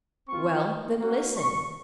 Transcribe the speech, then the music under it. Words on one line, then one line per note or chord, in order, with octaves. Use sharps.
"Well, then, listen."
C4 F4 C#6
A#3 C#4 F#4
C#6